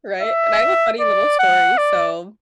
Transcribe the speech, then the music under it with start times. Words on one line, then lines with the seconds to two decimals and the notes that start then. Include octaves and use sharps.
Right? And I have a funny little story, so
0.21 E5
1.00 D5
1.39 F#5
1.78 D5